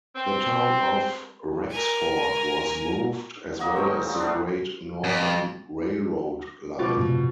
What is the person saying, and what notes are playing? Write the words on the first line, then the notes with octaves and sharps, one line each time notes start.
The town of Rexford was moved, as well as the Great Northern Railroad line.
C4
A#4 G#5
F#3 A#3 D#5
A3 C4 C#4 D#4
F3 G3 G#4
A3 B3 D4
F2
B2 F3 D6 A6
F#2 A2 C3